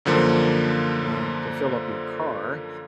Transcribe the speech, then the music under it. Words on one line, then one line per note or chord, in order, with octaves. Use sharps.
uh, to fill up your car,
F#2 D3 F3 A#3